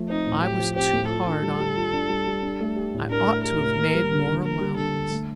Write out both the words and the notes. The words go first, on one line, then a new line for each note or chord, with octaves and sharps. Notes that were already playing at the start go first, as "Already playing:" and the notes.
I was too hard on you--I ought to have made more allowance.
Already playing: F3 A3
C4 D#4
A2
A3 G4
F3
C4 G4
A2
F4 A4
D4
G3
G3
F4
D4
G3
G3
D4
A3
G4
A2
D4 A#4
A3
G4 A#4
A2
A#3
G3
D3
D3
A#3 A#4
G3
D3 A4
D3
A3